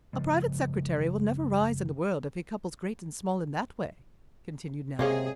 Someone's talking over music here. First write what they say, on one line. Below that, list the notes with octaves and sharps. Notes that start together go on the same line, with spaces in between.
"A private secretary will never rise in the world if he couples great and small in that way," continued Nello.
F#1 C#3 F3 G#3
C3 G#3 A#3 C#4 G#4